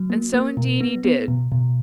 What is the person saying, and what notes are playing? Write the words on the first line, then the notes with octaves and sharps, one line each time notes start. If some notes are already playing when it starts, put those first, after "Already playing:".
And so indeed he did.
Already playing: F#3
A#3
A#3
B2
B3
B3
B2
B2